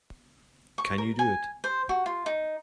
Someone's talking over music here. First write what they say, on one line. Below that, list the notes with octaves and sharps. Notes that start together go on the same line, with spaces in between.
Can you do it?
C#6
A#4
G#5
C5
F#4
F4
D#4